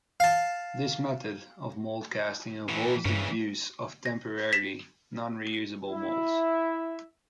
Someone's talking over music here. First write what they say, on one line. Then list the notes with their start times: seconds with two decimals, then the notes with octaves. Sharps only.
This method of mold casting involves the use of temporary, non-reusable molds.
0.20 F5 A5
2.69 A2 E3
3.05 G2 C#3 E3
4.06 A#6
4.53 B6 E7
5.90 E4 E5